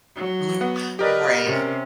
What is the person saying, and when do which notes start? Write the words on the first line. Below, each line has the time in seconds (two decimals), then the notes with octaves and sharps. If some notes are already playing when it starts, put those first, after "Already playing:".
Mhm, right.
0.16 F#3
0.61 B3 F#5
0.99 G4 A#4 B4 D5 D#5
1.44 C3 C#4